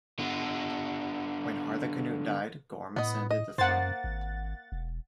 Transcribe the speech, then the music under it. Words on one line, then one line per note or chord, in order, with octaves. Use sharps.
When Harthacnut died, Gorm ascended the throne.
D3 B3
A2 B3 D#5
D#5
F#2 A#3 C5 F#5 A6
G#1
E1